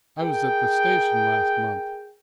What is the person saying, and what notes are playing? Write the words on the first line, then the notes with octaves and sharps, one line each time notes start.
I was at the station last month.
G#4 A#4 G5